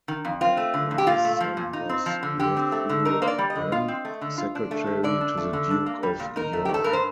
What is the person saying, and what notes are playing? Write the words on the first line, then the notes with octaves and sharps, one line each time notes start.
Their eldest son was Matthew Wren, secretary to the Duke of York.
D#3
F2
C4 F4
A3
D3
F2
G4
A#2 F4
A3
F3
A#2
D#4
C4
F3
D3
D3 G4
C4
A3
D3
D#4 A#4
A#3 C5
D5
G3
D#5
D3
F4
C4
A3
D3
F4
D4
A3
D#3
D3 D5
D4
A3
D3
D4
A#3
G3
A#2
D#4 A#4
A3
G4
D#3
A4
G2 A#4
C5